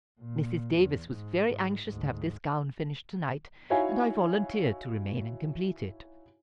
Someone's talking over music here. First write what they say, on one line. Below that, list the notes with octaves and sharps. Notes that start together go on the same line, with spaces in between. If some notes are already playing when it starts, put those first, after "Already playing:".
"Mrs. Davis was very anxious to have this gown finished to-night, and I volunteered to remain and complete it."
A#2
E2
G#2
G#2
D2 G#2
D#4 E4 F#4 C#5 F5 G#5